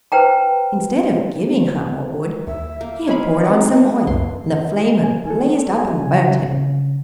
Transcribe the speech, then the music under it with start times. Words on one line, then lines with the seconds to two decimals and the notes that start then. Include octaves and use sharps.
Instead of giving her more wood he had poured on some oil and the flame had blazed up and burnt him.
0.12 B4 C5 G5 A#5
2.47 D#2 E5
2.81 A#3
3.08 G#3 D#4 G#4 C#5 E5 F5 B5
3.45 C4 C#4
3.73 A3 A#3 B4
4.07 C2 F#2 C6
5.04 G#5
5.30 A4
5.78 G#5
6.06 C#3
6.51 C#3